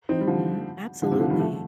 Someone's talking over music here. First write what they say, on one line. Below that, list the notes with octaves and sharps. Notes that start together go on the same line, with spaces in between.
Mhm. Absolutely,
C4 D#4
G3
D3 F3
D3 F3
C3 D#3
D3 F3
D#3 G3
F3 A3